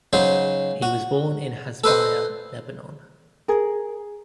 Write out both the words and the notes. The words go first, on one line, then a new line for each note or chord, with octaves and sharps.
He was born in Hasbaya, Lebanon.
C#3 F#3 D#4 C5
F#4
A4 B4 C5 D#5
G#4 A#4